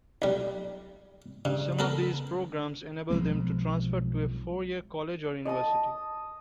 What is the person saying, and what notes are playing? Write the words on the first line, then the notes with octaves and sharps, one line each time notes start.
Some of these programs enable them to transfer to a four-year college or university.
B1 G3
G2 C#3
B3 A4 A#4
B1 F3 G#3 C4
D#5 A5 D#6